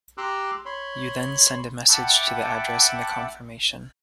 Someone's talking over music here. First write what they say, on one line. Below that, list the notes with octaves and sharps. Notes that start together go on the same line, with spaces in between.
You then send a message to the address in the confirmation.
G4 A#5 C6 D6 E6 F#6
C#5 B5 C6
E5 F#5 G5 A5 B5 D6